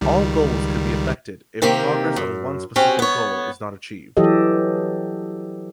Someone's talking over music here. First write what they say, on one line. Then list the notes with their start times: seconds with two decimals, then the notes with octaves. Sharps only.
All goals could be affected if progress on one specific goal is not achieved.
0.01 C#2 D#3 G3
1.62 C3 D#3 A#3 G4
2.16 F#2
2.76 C4 C#4 F#4 G4
2.99 B3 C#5
4.17 E3 F#3 G4 A4 D#5